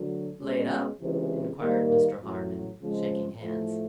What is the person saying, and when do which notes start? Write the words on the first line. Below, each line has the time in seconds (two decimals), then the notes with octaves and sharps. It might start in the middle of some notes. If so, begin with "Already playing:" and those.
"Laid up?" inquired Mr. Harmon, shaking hands.
Already playing: D2 D3 F#3
0.40 B2 G#3 C#4
0.99 C#2 C3 E3
1.59 D#3 G3 A#3
2.20 A1 A2 F#3
2.80 C#3 F3 G#3 C4
3.39 A2 F3 A3